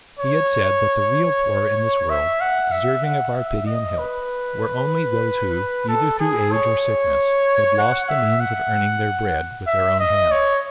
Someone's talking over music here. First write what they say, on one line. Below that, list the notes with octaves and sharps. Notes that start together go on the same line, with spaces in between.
He had said that the real poor in this world, deserving of our pity and help, were only those who, either through age or sickness, had lost the means of earning their bread with their own hands.
C#5
E5
F#5
E5
F#5
E5
D#5
B4
A4
G#4
C#5
F#5
E5
F#5
E5
D#5
C#5